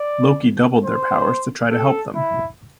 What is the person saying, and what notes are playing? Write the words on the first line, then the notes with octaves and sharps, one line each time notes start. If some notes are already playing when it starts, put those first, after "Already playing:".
Loki doubled their powers to try to help them.
Already playing: D5
C5
A4
E4